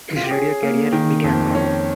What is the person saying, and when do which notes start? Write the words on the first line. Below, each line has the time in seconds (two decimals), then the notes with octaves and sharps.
His radio career began.
0.16 F4
0.23 G4
0.31 C#4 G#4
0.63 A#3
0.92 D#3
1.24 F2
1.55 C#4